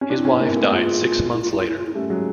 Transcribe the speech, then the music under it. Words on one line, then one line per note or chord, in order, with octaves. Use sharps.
His wife died six months later.
C#4
C4 D4 E4
B3 C#4
A#3 C4
A3 B3
G#3 A#3 F4
E4
F4
E4
F4
E4
F4
E4
G3 A3 C#4
F#3 G#3